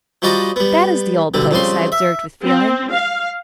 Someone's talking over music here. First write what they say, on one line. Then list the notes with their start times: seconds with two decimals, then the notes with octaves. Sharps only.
'That is the old place,' I observed with feeling.
0.22 F3 G3 F#4 D5 D#5 A#5
0.56 G3 B3
1.34 B1 D3 G3
1.51 F2 C#3 G3 C6
1.92 E5
2.43 C4
2.92 F5